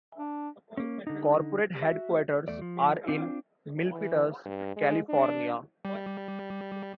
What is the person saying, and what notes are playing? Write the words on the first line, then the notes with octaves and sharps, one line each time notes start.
Corporate headquarters are in Milpitas, California.
D4
A#3 C#4
D3 D#4
F#4 E5
E2 A3 D5
F3
C4 D4 F4
E3
G2
G#3
D4
G3